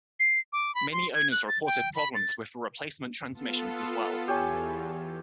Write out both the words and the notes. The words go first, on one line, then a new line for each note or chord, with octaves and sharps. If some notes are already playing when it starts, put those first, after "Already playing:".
Many owners reported problems with the replacement transmissions as well.
C7
D6
B5
C6
G#6
F#6
A6
G5
B5
A6
B3 F4 A4
E2 G4 C#5 G#5